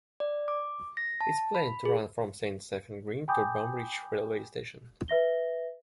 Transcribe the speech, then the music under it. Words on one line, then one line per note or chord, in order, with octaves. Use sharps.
It is planned to run from Saint Stephen's Green to Broombridge railway station.
D5
D6
A#6
A5
B5
G#4
G5 G#5 B5 D6 D#6 G6
B4 E5 A#6 G7